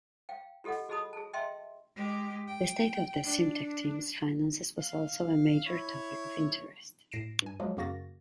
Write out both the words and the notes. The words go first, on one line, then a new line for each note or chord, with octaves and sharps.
The state of the Simtek team's finances was also a major topic of interest.
F5 G5
F4 G4 A4 D#5 F#5
F#4 G#4 D#5 A5 B5 D#6
G#4 A5
D#5 E5 G5 A5 C6
G#3 G4
G5
D4
F5
E4 C#5
A2 A#6 C7 D7 E7
G2 G#5
F3 F#3 G#3 A#3
F#2 C#3 A#3 F#4 A6 A#6